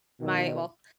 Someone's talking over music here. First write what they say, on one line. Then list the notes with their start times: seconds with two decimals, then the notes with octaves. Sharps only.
my, well
0.21 B2 D#3